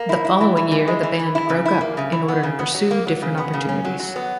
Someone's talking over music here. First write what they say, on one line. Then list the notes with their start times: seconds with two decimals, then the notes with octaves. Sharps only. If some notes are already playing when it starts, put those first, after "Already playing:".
The following year the band broke up in order to pursue different opportunities.
Already playing: A#3
0.09 E4
0.25 E4
0.41 E3
0.57 E3
0.71 E3
0.87 G#3
1.03 E3
1.19 E3
1.35 E4
1.50 C#3
1.65 E4
1.81 A#3
1.97 C#3
2.12 E3
2.28 B3
2.43 C#3
2.59 B3
2.75 F#3
2.91 A#3
3.07 F#3
3.22 C#3
3.38 B3
3.53 C#3
3.69 C#4
3.85 F#3
4.00 F#3
4.16 B3